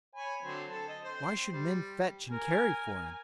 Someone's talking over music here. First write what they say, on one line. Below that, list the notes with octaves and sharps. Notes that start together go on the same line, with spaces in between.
Why should men fetch and carry for him?
C#5 G#5 B5
D3 F#3 C4
A4 A5
D#5
C4 C5
G3
A#4 G#5